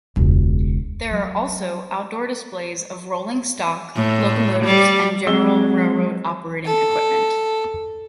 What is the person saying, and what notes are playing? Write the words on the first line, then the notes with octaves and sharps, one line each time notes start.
There are also outdoor displays of rolling stock, locomotives and general railroad operating equipment.
E1 C#2
F#3
A2
G3
F#3 G#3 C4 E6 G7
A4